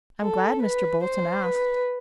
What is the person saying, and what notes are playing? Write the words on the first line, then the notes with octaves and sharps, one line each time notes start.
"I'm glad Mr. Bolton asked."
A4
B4
C5
B4